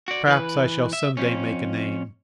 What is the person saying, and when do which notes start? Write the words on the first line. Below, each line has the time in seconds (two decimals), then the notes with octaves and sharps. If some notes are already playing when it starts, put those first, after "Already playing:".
Perhaps I shall some day make a name.
0.08 F#4 D5
0.27 E3 B4
0.93 E5
1.17 F2 C#4